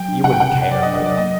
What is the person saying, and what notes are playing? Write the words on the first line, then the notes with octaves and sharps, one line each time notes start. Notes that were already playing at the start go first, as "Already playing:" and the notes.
You would n't care for them.
Already playing: F#3 G5
D4
C3 F#5
G5
C3 F#5
C3
F#3 D5
D#5
D4
D#5
F#3 D5
A#3 D#5